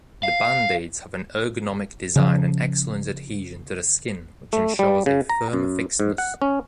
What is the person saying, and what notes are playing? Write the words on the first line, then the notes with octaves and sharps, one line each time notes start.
The band-aids have an ergonomic design and excellent adhesion to the skin, which ensures a firm fixedness.
F5
C#3 F3
A3
G3
C#3
A#5
F#2
G#2
F#5
C#4